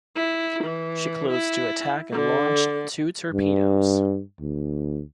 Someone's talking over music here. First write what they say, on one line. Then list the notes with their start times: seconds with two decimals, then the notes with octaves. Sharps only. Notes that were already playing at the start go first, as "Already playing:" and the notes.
She closed to attack and launched two torpedoes.
0.16 E4
0.64 E3
1.32 E4
2.12 D3
3.33 G2
4.40 D2